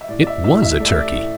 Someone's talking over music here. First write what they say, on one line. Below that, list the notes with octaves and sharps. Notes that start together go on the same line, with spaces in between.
It was a Turkey!
E5
A2 D5
D5
E5
A2 E5
E5
A3 D5
E5
D5
A2